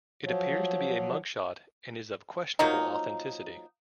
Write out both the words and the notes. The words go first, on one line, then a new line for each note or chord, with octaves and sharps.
It appears to be a mugshot and is of questionable authenticity.
F3 F#3
F3 F#3 A#3 D#4